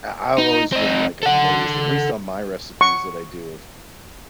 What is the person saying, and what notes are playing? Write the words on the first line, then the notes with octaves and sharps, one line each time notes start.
I I've always been, like, amazed- at least on my recipes that I do- of
D#4
C4 D#4
A4 F#5
C#6